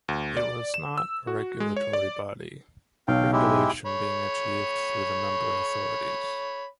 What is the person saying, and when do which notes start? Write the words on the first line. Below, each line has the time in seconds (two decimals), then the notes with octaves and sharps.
It was not a regulatory body, regulation being achieved through the member authorities.
0.08 D2
0.37 D5
0.74 E7
0.98 E6
1.27 F#4
1.60 G#3
1.76 C#5
1.93 D5
3.08 B1 F5 G5
3.33 G#3 E4 G4
3.86 C#5 B5